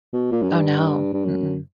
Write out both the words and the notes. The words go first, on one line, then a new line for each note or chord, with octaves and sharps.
Oh, no, mm-mm.
B2
A#2
F#2
G2
G2
F#2